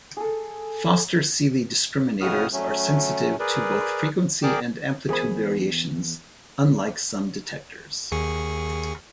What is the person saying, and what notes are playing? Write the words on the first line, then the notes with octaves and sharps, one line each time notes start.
Foster-Seeley discriminators are sensitive to both frequency and amplitude variations, unlike some detectors.
G#4 A4
F2 A2 C#3 F#4 D#6 F6
F#3 A3 C#4
G#4 A#4 B4 D5
G#4 A#4 D5 G5 D6
E2 G#4 A#4 C5 B5
D#2 G#4 C#6